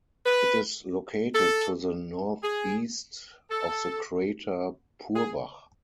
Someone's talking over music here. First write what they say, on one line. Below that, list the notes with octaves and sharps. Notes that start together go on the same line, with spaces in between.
It is located to the northeast of the crater Purbach.
B4
A4
G#4
A4
G#4